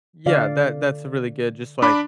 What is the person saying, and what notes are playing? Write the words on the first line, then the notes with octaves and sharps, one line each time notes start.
Yeah, that that's a really good just, like,
D3 D5 F5
D4 B5 D6